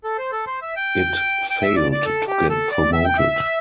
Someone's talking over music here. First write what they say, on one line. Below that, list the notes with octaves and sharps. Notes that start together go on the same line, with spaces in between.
It failed to get promoted.
A4
C5
A4
C5
E5
G5
G5
E5
D5
D5
A4
G4
A4
D5
E5
G5
E5